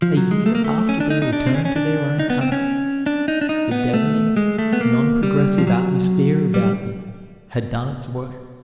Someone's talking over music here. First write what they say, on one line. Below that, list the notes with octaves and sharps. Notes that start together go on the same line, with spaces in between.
A year after their return to their own country, the deadening, non-progressive atmosphere about them had done its work.
F3
F#3
G#3
A3
A#3
A3
C#4
D4
D#4
D#4
D4
C4
C#4
C#4
D4
D#4
B3
C4
C#4
D4
D#4
D4
D#4
B3
A3
G#3
A3
B3
A#3
G3
F3
F#3
G3